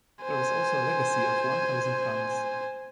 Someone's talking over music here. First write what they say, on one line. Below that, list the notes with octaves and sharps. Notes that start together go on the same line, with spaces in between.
There was also a legacy of one thousand pounds.
C5 G#5